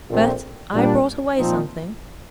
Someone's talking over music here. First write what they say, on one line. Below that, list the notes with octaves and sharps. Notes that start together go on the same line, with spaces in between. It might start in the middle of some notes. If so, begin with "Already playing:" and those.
But I brought away something.'
A#1 A#2 A3 C4
A#2 G3 D4
A#2 F3 C4 D#4